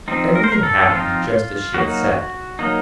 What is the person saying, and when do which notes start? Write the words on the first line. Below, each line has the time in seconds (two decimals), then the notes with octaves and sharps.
Everything happened just as she had said.
0.08 F3 C4 D#4
0.35 A#4
0.44 C5
0.52 A#4
0.63 A4
0.91 F3 C4 D#4 F4
1.74 F#3 A#3 D#4 F#4
2.59 F#3 A#3 D#4